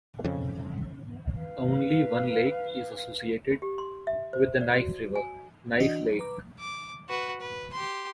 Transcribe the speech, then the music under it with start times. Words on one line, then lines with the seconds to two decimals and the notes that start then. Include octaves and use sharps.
Only one lake is associated with the Knife River: Knife Lake.
0.24 F2 C#3
1.39 B4 F5
3.62 G4
3.78 C6
4.07 E5
4.33 C5
4.61 D5
4.74 F#4
5.16 G#5
5.80 E3 D4 F#4 D#5
6.19 B4 A#5 D6
6.59 D6
7.09 F#4 B4
7.40 B4
7.72 G4 C6